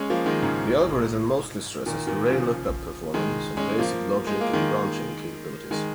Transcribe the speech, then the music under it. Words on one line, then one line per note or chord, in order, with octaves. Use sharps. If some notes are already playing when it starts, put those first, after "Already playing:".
The algorithm mostly stresses array lookup performance and basic logic and branching capabilities.
Already playing: G#3 C#4
F3 A#3
D#3 G#3
G#2 C#3
A#2 D#3
A#2 D#3
C#3 F3
D#3 G#3
G#3 C#4
F3 A#3
G#3
A#3
D#3 G#3
D#3 G#3